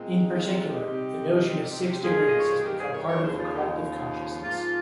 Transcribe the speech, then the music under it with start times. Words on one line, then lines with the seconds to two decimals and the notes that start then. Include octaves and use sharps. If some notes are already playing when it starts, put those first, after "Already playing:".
In particular, the notion of six degrees has become part of the collective consciousness.
Already playing: A#2 G#3 C4
0.23 D#4
0.34 G4
0.38 F4
0.53 F4
0.68 D#4 G4
0.83 C3 G3 C4
2.03 G2 D#3 A#3 F4 G#4
2.16 F5
2.28 D#5
2.40 C#5
2.52 C5
2.63 G4 A#4
2.78 G#4 C5
2.93 A#4 C#5
3.08 A#4 C#5
3.23 D#2 C#3 F3 G#4 C5
3.38 F4 G#4
3.54 D#4 G4
3.68 F4
4.44 G#2 F3 A#3 F4